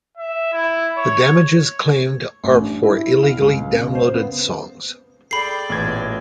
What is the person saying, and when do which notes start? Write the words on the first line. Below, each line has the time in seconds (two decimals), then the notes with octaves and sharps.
The damages claimed are for illegally downloaded songs.
0.17 E5
0.52 E4
0.97 C#5
2.44 A1
2.61 D4
2.83 E4
3.23 F5
3.41 C#2
3.73 C#3
3.95 C5
4.15 B3
5.31 G#4 A4 D5 G5 B5 C7
5.70 A1 A#2 A3 B3 G#6